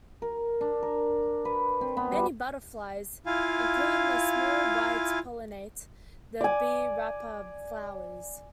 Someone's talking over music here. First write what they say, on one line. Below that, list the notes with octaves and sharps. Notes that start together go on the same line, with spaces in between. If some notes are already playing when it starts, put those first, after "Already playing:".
Many butterflies, including the small white, pollinate the "B. rapa" flowers.
A#4
D4
A#4
B4
C4
B3
G3
E4 F4 F5 G#5
D5 G#5